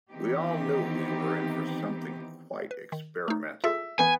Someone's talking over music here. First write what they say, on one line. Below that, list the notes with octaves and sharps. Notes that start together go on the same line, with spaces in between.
We all knew we were in for something quite experimental.
D#3 E3 B3 C4 D#4 G4
B4
D#3
A3 D#4
F4 G#4 A4 E5
E3 B3 G#5 G6